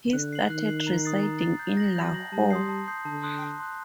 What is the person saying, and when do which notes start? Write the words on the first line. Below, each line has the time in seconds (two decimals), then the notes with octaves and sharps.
He started residing in Lahore.
0.13 D3 F#6
0.33 C7 F#7
0.50 D#3 F#6
0.68 C7 F#7
0.87 A#5
1.05 D#6 A6 C7
1.23 A#5
1.41 D#6 A6 C7
1.59 G6
1.77 A#6 F#7
1.96 F#3 G6
2.14 A#6 F#7
2.32 G3 A5
2.51 C6 D#6 G6 C7
2.69 A5
2.87 C6 D#6 G6 C7
3.05 D3 A5
3.23 C6 D#6 F#6
3.41 A5
3.60 C6 D#6 F#6